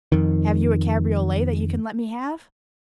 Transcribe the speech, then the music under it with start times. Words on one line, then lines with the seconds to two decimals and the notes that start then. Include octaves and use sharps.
"Have you a cabriolet that you can let me have?"
0.12 F2 D#3